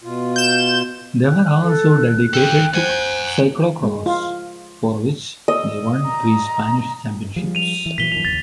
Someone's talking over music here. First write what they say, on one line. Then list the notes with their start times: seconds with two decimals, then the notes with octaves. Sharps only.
They were also dedicated to cyclo-cross, for which they won three Spanish Championships.
0.03 B2 F4
0.36 G6 E7
1.26 F#6
1.63 A4
2.34 A4 C5 G5
2.75 C5 F#5 G#5
3.83 G#3
4.06 F4
5.48 D#5 E6
6.07 A#5
7.36 F3 G3 G#3
7.55 D#7 F7
7.86 E3
7.98 A#2 E3 F#3 B6 G7
8.12 F#2 D#3 F3 F7
8.25 F#1 D#2 A6